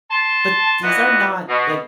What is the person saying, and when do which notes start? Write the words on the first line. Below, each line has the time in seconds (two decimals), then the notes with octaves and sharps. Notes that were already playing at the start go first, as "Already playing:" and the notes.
but these are not, like"
0.11 A5 C6
0.82 A#2 E3 B3 F#4 D#5
1.48 B2